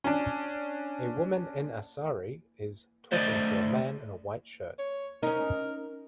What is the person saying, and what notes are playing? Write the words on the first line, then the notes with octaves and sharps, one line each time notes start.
A woman in a sari is talking to a man in a white shirt.
C#4 D4
A3 C5 D5 D#5
C#5
C#4 D#4 A#4